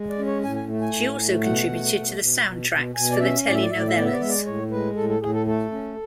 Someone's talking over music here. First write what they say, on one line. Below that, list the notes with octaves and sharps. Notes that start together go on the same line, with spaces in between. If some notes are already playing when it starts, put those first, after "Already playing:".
She also contributed to the soundtracks for the telenovelas.
Already playing: G#3
D5
C#4
C#5
A2 G#5
G#5
A3
G#5
A2
A3
B2 F#5
A3
B2
B2
B2
B2
B2 G#5
D5
C#4 E5
A2 D5
E5
D5
A2 E5
D5
E5
B3 D5
E5
D5
G#3 E5
D5
A2 C#5
G#3 B4
A2 A4
A4
A2 G#4
A4
A3 A4
C#4